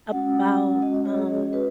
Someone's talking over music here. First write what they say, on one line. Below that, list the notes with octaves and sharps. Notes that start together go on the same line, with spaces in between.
about, um
G#3 C#4 F#4 F#5
G#3 C#4 F#4 D#5
D#5
C#5
G#4
F#4 B4